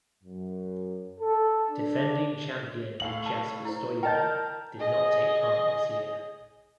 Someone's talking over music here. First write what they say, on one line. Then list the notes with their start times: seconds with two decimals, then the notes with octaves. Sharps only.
Defending champion Jasper Stuyven did not take part this year.
0.24 F#2
1.20 A4
1.71 D4
3.00 A2 F5 F#7
3.26 A5
3.65 E4 C5
4.03 A#4 D#5 G5 A5 G6
4.78 G#4 D#5